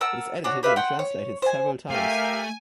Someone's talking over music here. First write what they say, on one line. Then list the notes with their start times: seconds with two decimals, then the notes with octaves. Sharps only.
It is edited and translated several times.
0.01 A#4 F#5 A5 E6
0.44 D4 F#4 C#5
0.63 G4 B4 E5 F5
0.76 F#5 G5 C6
0.99 C#5
1.42 C5 G#5
1.90 A3 G4 A#4 E5 F5 G#5